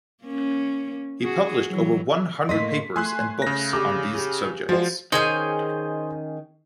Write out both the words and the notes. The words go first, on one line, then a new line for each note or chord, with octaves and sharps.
He published over one hundred papers and books on these subjects.
A#3 C#4
F#4 G#4
E3 F#3
A2 A#3 D#5 C6 B6
A3 G#5 C6 F#6
C#3 A#6
D3 G4 G#4 D6
G4 G#4
F3 G#3 F4 F#4 C5
D#3 C#4 G#4 C5 D#5 G#5 G6